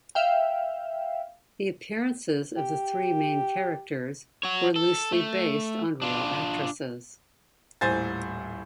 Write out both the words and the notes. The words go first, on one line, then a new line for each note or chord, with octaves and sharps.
The appearances of the three main characters were loosely based on real actresses.
E5 F5 G5
G4
F#4 C#5
A4
A3
D4 F4
D#1 A2 C5 G#5 A6